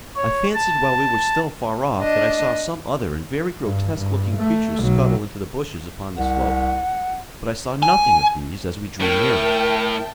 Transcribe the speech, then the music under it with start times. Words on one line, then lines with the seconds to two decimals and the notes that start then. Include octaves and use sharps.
I fancied while we were still far off that I saw some other and very grotesque-looking creatures scuttle into the bushes upon the slope; but I saw nothing of these as we drew nearer.
0.16 C#5
0.55 A5
2.00 D4 D#5
3.64 G2
3.93 G2
4.37 A3
4.80 B1 F#3
6.17 C2 F#5
7.83 G#5
9.01 A2 A#4 E5 G5 A5